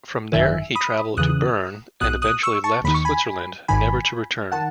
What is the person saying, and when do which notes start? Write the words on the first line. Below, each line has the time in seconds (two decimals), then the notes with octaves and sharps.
From there, he travelled to Bern and eventually left Switzerland, never to return.
0.33 G#1 F#2 D#3 E5 G#5
0.75 B5 D#6
1.17 E2 C#3 E3 D#6 F#6
2.01 B1 B2 D#6 F#6
2.22 D#6 F#6
2.43 C#6 E6
2.64 A5 C#6
2.84 D#2 D#3 B5
2.94 C#6
3.05 G#5 B5
3.68 G#1 G#2 D#3 G#5 B5
4.52 D#3 F#5 A5